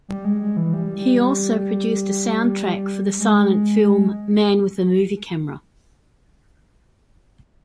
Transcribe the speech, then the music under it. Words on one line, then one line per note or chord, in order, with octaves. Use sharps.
He also produced a soundtrack for the silent film "Man with a Movie Camera".
G3
G#3
G#3
E3
G3
G3
G3
G#3